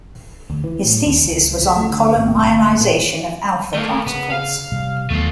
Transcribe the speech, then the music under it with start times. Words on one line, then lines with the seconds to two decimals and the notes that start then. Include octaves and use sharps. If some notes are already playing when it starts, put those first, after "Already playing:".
His thesis was on column ionization of alpha particles.
0.50 D2
0.64 E3
0.84 A2
1.06 D#2
1.25 C#2
1.63 C#2
1.76 A3
1.90 D2
2.16 G#1
2.32 C2
2.46 G1
2.81 A#2
3.75 A3 A#3
4.06 C#3 B3
4.31 F5
4.72 C3 G3
5.10 D#2 F#3 A3 B3 F4